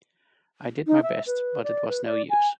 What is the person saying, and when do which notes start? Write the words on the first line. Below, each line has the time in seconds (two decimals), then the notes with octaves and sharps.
I did my best, but it was no use.
0.87 D#4
1.03 E5
1.27 B4
1.64 D5
1.88 B4
2.05 D5
2.30 G#5